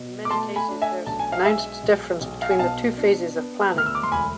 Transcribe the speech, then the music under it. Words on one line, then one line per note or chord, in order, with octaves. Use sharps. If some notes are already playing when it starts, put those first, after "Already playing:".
In many cases there is a pronounced difference between the two phases of planning.
Already playing: B2
D6
A3 A5 C6
G#5 B5
D4
E5 G#5
B1 A5
G#5
F5
G#3 E5 G#5
B1
B1
F5
G#5
B2 F5 A5
D4
B3
D2 F6
E6
D6
C6
E1 G#5 B5